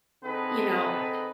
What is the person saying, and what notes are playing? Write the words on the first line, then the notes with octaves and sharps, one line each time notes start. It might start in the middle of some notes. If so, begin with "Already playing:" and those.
you know, I
D3 C4 D#4 G#4 A4 B4